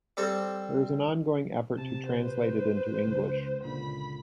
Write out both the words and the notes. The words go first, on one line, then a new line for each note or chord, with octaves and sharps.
There is an ongoing effort to translate it into English.
G3 C4 A4
C3 A5
B4 C5
C#2
C#2 A#2 D3 B5